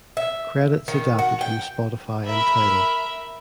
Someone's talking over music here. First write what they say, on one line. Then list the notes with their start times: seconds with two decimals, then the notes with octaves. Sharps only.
Credits adapted from Spotify and Tidal.
0.17 E5
0.88 D#3
1.19 F#4
1.41 G5
2.25 A#4 E5 B5